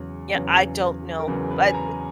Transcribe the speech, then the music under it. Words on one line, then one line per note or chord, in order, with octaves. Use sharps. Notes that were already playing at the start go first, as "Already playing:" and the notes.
Yeah, I don't know, but i
Already playing: E2 C#3 F#3 C#5
E2 C#3 F#3 C#5
A#4
E2 C#3 F#3 B4
B4
G#5
A#5